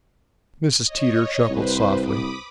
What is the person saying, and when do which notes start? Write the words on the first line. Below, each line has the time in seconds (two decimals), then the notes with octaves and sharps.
Mrs. Teeter chuckled softly.
0.84 C#5 D#5
1.49 C2 B4 C5
1.99 B5 D6 D#6